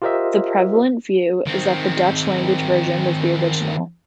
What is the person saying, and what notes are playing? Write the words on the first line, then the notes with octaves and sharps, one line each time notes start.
The prevalent view is that the Dutch-language version was the original.
F4 G4 A#4 C5 D#5 E5
D#3 C4